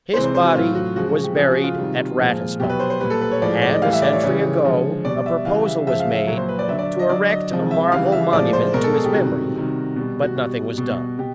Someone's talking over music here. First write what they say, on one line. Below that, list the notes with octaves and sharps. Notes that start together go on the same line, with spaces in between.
His body was buried at Ratisbon, and a century ago a proposal was made to erect a marble monument to his memory, but nothing was done.
C3 E3 G#3 C5
C5
C5
F#4
A2 F#3 F4
F#4
C#3 F3 G#3 F#4
F#4
G4
C#3 F3 G#3 G#4
F#4
F4
C3 D#3 G3
A#2 F3 G#3
B2 F#3 G4
B4
C5
C5
A#2 G3 B4
A4
B4
C#5
A2 F3 G#3 D5
D5
D#5
A2 E3 G3 F5
E5
D5
C#5
C#3 E3 G3 C#5
D3 F3 G#3
B2 G3 D5
E5
C#3 E3 G3 F5
E5
C#3 F3 G#3 E5
F5
E5
A#2 F#3
C5
B4
D5
D3 F#3 E5
D5
D#5
D3 F#3 D5
D#5
C3 F3 G#3
E5
C#3 E3 G3 F5
E5
A2 F3 G#3 D5
C5
B2 G#3 A#4
A4
G#4
G4
C3 D#3 G3 F#4
C3 D#3 G3
B2 G3
F#4
B2 G3
B2 G3
B2 G4